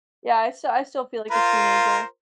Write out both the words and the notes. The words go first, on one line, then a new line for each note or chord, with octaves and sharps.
Yeah. I still I still feel like a teenager.
F4 A#4 C5